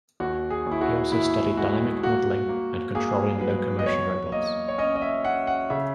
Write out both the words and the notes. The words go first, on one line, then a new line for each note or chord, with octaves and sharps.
He also studied dynamic modeling and control in locomotion robots.
D#2 F#4
G#4
D#2
E4
F#4
D#2 E4
G#3 F#4
A#3 F#4
A#3
A#3 G#4
F#3 B4
D#5
E2 C#5
A#3 D#5
C#5
C#4 D#5
D#5
E5
C#4 F#5
F#5
C#3 E5